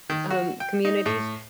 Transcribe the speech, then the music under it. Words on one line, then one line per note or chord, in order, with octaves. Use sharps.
um, communities,
D#3
F#4
G5
D#4
A2